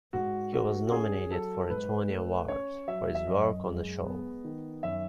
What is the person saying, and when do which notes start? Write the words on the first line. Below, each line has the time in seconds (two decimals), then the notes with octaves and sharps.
He was nominated for a Tony Award for his work on the show.
0.13 G#2 F#4
0.52 A3 F#4
0.87 F#4
0.91 C#4 G#4
1.31 F#3 A4
1.70 G#2 B4
2.09 A3
2.48 C#4 C#5
2.88 F#3 E5
3.15 E5
3.26 F#2 D#5
3.66 G#3
4.05 B3
4.44 D#3
4.83 F#2 E5